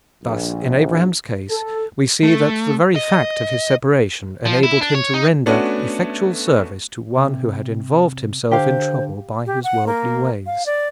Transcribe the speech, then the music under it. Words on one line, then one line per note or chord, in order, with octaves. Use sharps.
Thus, in Abraham's case, we see that the very fact of his separation enabled him to render effectual service to one who had involved himself in trouble by his worldly ways.
A#1
A4
A3
D#5
F3
E4
D4
C#5
D#4
A3 B3 C#4 D4 F#4
C3
D3 G4 C5 F5
G4
F#5
A#3
F5
D5